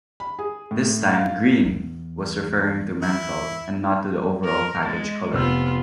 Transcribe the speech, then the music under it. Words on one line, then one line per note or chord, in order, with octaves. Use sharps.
This time "Green" was referring to menthol and not to the overall package color.
B5
G#4
A2
F5
E2
E4
A#4
G#3 A6
F1 B3 C4 F4 E6